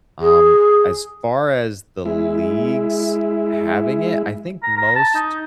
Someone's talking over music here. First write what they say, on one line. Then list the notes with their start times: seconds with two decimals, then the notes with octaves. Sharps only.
Um, as far as the leagues having it, I think most
0.21 G#4
2.06 G#3 E4
4.63 A#5
4.77 A#5
4.96 A5
5.15 D#4